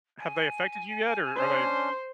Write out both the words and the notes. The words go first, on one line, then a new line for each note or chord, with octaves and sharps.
have they affected you yet, or are they
G#5
C#4 D4 C5 C6